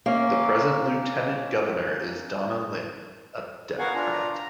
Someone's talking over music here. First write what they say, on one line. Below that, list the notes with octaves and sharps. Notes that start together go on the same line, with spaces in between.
The present lieutenant governor is Donna Lynne, a Democrat.
A#3 C#4
B3 F#4 A#4 F5 F#5 G#5
D4 F4 A#5
A#5